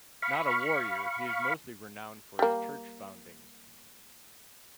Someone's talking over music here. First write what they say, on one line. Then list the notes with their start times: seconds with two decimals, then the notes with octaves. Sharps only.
Not a warrior, he is mostly renowned for his church foundings.
0.22 F5 B5 C#6
2.39 G3 A#3